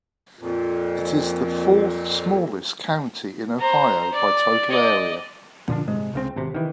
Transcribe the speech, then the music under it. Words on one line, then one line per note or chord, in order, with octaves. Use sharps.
It is the fourth-smallest county in Ohio by total area.
F2 A#2
C5 A#5
D5
D5 D#5
A#2 D3 F3 D4
G#2 C3 G#3
C#2 C#3 C4
G#1 C3
D#3 E3